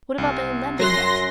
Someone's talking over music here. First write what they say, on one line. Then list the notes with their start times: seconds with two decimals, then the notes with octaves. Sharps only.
"What about a landing net?"
0.18 C2
0.79 F#2 F#3 C6 F#6 A#6